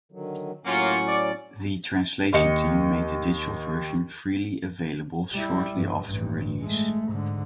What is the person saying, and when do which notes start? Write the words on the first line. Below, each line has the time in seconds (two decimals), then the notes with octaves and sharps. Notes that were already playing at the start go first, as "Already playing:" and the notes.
The translation team made the digital version freely available shortly after release.
0.12 D3 D#3 F#3
0.65 A2 F#3 A#3 C#4 F4 F#5 C#6
1.06 D5
2.33 D#2 G4 D#5 C#7
5.33 G3 E4
5.75 G2
6.06 A1 G2
6.60 G#3 A3
7.09 G#2 D3